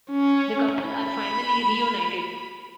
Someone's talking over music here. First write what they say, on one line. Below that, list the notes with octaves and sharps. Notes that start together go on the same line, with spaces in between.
The couple are finally reunited.
C#4
B5